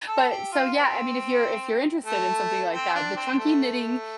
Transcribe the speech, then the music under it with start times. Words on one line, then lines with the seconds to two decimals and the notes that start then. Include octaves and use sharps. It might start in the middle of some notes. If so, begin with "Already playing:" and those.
but so, yeah, I mean if you're if you're interested in something like that, the chunky knitting
0.08 A4
0.30 G4
0.52 F4
0.74 C4
2.06 A3
2.72 C4
2.95 D4
3.16 C4
3.38 A3